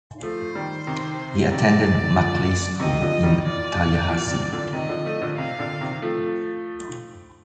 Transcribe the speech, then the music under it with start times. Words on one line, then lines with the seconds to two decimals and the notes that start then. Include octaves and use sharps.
He attended Maclay School in Tallahassee.
0.23 F3 A3 C5
0.55 D#3 G3
0.87 C3 D#3
1.51 C3 D#3 D5
2.16 D3 F3
2.80 C3 D#3 D#5
3.02 D3 F3
3.23 D#3 G3
3.44 A#2 D5
4.09 A#2
4.30 C3
4.52 A#2 D3
4.73 C3 D#3 D#5
4.89 D3 F3
5.05 F3 A3
5.21 A#2 D3
5.37 C3 F5
5.59 A#2 D3
5.81 C3 D#3
6.02 F3 A3